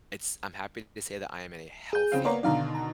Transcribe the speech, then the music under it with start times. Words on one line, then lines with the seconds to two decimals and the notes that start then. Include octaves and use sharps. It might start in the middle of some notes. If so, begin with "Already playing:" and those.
It's I'm happy to say that I am in a healthy
1.93 G#4 G6
2.12 C#3 C4 F5
2.25 A#3 B3 C#5 D5 A#5
2.43 B2 D3 D#3 D5 F5 A#5
2.75 A#5